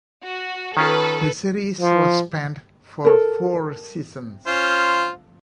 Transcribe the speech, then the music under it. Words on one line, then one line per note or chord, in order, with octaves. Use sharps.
The series was spanned for four seasons.
F#4
D#3 C#4 F4 A4 B4
F3
A4 A#4
C#4 F4 C5